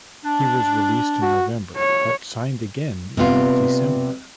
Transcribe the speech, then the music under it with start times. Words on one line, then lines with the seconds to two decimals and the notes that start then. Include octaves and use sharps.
He was released in November but signed again in December.
0.24 D4
1.22 F#4
1.77 C#5
3.17 C3 G3 B3 F4